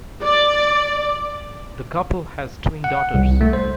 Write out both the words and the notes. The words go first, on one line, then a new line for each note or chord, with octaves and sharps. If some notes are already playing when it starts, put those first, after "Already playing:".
The couple has twin daughters.
D5
F#5
C2
A3
C5